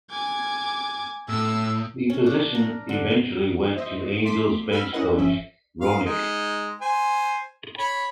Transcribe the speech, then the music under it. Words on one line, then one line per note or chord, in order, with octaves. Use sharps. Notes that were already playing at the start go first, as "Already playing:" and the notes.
The position eventually went to Angels bench coach Roenicke.
G#5 D6
A2 E6
C#4
D4
A#4
D3
C5 D#5 E5
A3 C6 D6 B6
B5 E6 F6
C#4 E4 A#4 B4 D#5 F#5
G1 F3 C#4 E5
F5
G#3 D#4
C5 G#5
C#5 B5